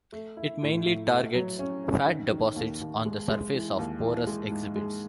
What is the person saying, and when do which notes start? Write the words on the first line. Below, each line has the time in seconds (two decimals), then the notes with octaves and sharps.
It mainly targets fat deposits on the surface of porous exhibits.
0.12 A3
0.37 E4
0.62 A2
0.86 A2
1.11 A3
1.34 F#3
1.59 C#4
1.84 C#4
2.07 D#3
2.33 D#3
2.56 D#2
2.81 D#2
3.05 G#3
3.30 G#3
3.55 E3
3.79 D#2
4.03 E3
4.27 G#3
4.51 G#2
4.76 G#3